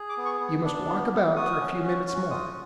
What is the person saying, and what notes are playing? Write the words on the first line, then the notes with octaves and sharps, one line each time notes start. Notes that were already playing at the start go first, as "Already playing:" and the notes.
You must walk about for a few minutes more.
Already playing: G#4
D6
B3
C#6
B3
D4
B3
B3
F#4 D#6
C#4
F#4
F#4
F4 D#6